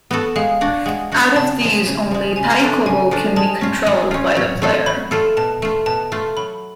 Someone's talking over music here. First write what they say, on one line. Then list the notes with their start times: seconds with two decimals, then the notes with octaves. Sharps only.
Out of these, only Taikobo can be controlled by the player.
0.11 B3 F#4 A4
0.36 G#3 F5
0.61 D4 F#4
0.86 G#3 F#5
1.12 D4 F#4
1.36 C#3 A5
1.61 F3 G#3
1.86 C#3
2.11 F3 G#3
2.36 C#3 G#5
2.61 F3 A3 D4 F4
2.86 C#3 G#5
3.11 F3 A3 D4 F4
3.36 G#3 A5
3.61 C#4 F4
3.87 G#3
4.11 C#4 F4
4.37 F#3
4.62 A3 F4 A4
4.86 F#3 B5
5.11 A3 F4 A4
5.37 B2 A5
5.62 A3 F4
5.86 B2 A5
6.12 A3 F4
6.37 F#3 B5